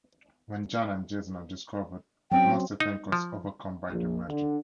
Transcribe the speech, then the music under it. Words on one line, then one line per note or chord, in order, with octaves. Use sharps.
When Jana and Jason are discovered, Master Tenko is overcome by their magic.
F#3 C4 C#4 G5
D#4
F3
A#1
D3